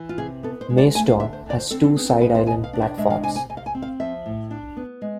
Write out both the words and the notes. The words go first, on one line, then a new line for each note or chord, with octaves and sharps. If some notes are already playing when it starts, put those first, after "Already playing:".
Macedon has two side island platforms.
Already playing: E3
F4
C3 G#4
B3 A4
C5
G#3
D5
A3 G#5
F5
D3 E5
C5
D3 D5
C5
C4 A4
A4
B3 G#4
A4
B2 B4
C5
B2 G#5
F5
D4
E5
G#3 E5
F5
C3 G#5
G#5
C3 G#5
F5
G#5
C4
F5
F3 E5
A2
D4
B3
G#3